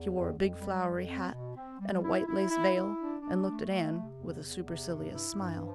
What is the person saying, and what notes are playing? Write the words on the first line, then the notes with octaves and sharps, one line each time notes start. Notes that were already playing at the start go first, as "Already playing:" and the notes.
She wore a big flowery hat and a white lace veil and looked at Anne with a supercilious smile.
Already playing: E2
F2
F2
G3
F2
C4
B2
C4
G3
E4
E4
E4
E4
D4
D4
A3
A3
C3
E2
E2
C3
G2
E4
G2
F3